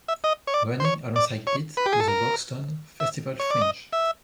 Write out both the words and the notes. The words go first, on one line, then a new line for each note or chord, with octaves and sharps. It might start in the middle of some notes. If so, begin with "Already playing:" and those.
Running alongside it is the Buxton Festival Fringe.
E5
D#5
C#5
D5
C5
C#5
D5
C#5
B4
G4
G#4
A4
A#4
E5
C#5
D5
D#5
E5